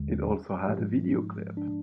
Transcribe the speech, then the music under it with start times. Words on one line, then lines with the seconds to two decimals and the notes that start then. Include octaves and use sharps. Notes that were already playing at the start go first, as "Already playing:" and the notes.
It also had a video clip.
Already playing: D#2 D3 G#3
0.22 G#4
0.66 G#2 F3 G#3 G4
1.11 D#4
1.57 D4